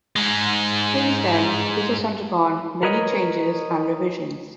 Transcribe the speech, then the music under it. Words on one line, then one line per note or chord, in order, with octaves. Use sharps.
Since then, it has undergone many changes and revisions.
G#2 G#3
A#4 B4 C#5 D#5 A#5